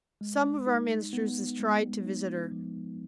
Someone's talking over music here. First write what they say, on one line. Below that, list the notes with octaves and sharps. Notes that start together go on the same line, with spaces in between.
Some of our ministers has tried to visit her.
G#3
D#4
B3
G#3
D#4
F3